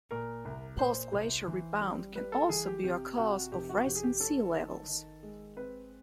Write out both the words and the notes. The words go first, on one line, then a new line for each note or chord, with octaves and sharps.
Post-glacial rebound can also be a cause of rising sea levels.
A#2 A#4
C2
A#2 C5
C2
E3
G3
G3 B4
A4
E3 G#4
G4
C3 G4
C3 F#4
F1 G4
F#4
F1 G4
G#4
G4
C#4 A4
D#3
D#3
G#3
C4 B4